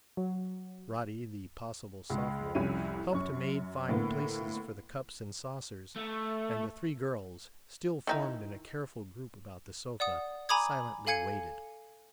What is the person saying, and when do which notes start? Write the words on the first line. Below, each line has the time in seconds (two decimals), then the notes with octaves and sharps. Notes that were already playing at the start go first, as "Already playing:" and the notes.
Roddy, the possible sophomore, helped a maid find places for the cups and saucers; and the three girls, still formed in a careful group about the sofa, silently waited.
0.17 F#3
2.10 C#2 G#3
2.55 C2 F2 C#4 E4 D#7
3.13 F#2 C#4 C#6
3.89 A2 D3 A#3 B3
5.96 A3
8.07 D#3 D#4 E4
10.00 D5 F#5 D#6
10.49 G#5 A#5 B5 D6 D#6 G#6
11.07 A4 F5 G#5 G#6 C#7